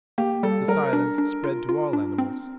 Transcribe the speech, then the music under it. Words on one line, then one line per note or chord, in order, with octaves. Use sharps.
The silence spread to all animals.
A#3 G4
G3 A4
G3 A#4
D4
D4
F4
F4
D4
C4